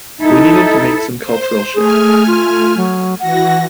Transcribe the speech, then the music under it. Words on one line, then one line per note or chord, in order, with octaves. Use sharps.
We needed to make some cultural shifts.
D#4 E4 A4
C5
A3 G#4 G#5 F6
F4
F#3
E3 F#4 F#5 A#6